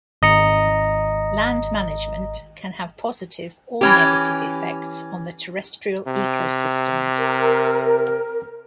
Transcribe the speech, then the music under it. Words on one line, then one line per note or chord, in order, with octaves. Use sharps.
Land management can have positive or negative effects on the terrestrial ecosystems.
G#1 D#5 A#5 C#7
E3 C#4 G4
C3
A#4